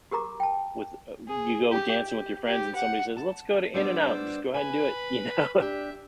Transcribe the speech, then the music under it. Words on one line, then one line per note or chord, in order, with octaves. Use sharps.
with, uh you go dancing with your friends and somebody says, "Let's go to In-N-Out," just go ahead and do it, you know?
F#4 G4 A#4 A#5 D6
G5 A5
G#4
G4
G4
G4
F#5
A5
G3 B3 D4 C5 D6 E6
B4 G#5 B5
D4 G4 E5